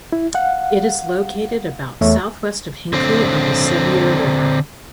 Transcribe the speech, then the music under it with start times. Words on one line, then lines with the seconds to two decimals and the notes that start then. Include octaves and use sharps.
It is located about southwest of Hinckley on the Sevier River.
0.12 E4
0.34 F5 F#5
2.01 E2 A3 C#5 E5
2.93 D3 C4